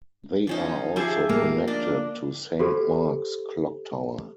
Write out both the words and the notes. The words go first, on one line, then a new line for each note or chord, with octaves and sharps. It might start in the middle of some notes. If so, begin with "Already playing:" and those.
They are also connected to Saint Mark's Clocktower.
F3 C#4 D#4
F3 G4 G#4 E5
A#3
D4 D#5
F#4 G4 A4 C5